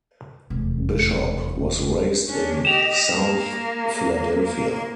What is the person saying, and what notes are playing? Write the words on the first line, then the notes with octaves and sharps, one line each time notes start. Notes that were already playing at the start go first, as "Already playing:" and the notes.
Bishop was raised in South Philadelphia.
F1 E2
C#4 D4
G4 D#5 E7 F7
A#3
A#3